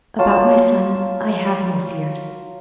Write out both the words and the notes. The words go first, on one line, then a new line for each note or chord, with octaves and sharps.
About my son, I have no fears.
F#3 F4 A5